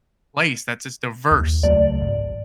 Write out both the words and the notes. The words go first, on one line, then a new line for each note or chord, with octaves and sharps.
place that's just diverse
D#2
C#2 F#3 A3 D5
G#1